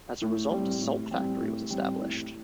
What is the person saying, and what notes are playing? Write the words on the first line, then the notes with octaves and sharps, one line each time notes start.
As a result a salt factory was established.
A2
G3 C4
A2
G3 C4
A2
G3 C4
A2